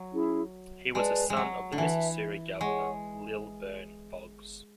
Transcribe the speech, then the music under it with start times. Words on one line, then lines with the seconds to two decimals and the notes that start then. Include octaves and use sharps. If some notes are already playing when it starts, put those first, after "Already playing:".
He was a son of the Missouri Governor Lilburn Boggs.
Already playing: F#3
0.12 C#4 E4 G#4
0.95 G#3 G#4 B4 D5 A5
1.30 G#3
1.37 F#3
1.72 D3
1.78 E3 B4 E5 A5
2.61 G#3 G#4 C#5 F#5 C#6